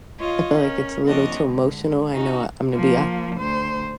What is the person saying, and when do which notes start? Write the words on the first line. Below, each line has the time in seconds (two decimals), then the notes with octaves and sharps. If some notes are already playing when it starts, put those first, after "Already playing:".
I feel like it's a little too emotional. I know I I'm gonna be a
0.19 F4 C#5 D#5 F5
0.60 C#4 A#4
1.04 F3 A#3 C4 D4 C#5 D#5
1.39 D3 G#3
2.12 C#4 D#4 F#4
2.74 F3 A#3
3.36 D2 C5